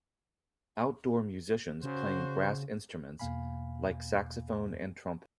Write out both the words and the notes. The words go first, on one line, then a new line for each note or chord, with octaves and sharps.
Outdoor musicians playing brass instruments like saxophone and trumpet.
C#3 F#4 C5
E2 B2 A#3 F5 G#5 B5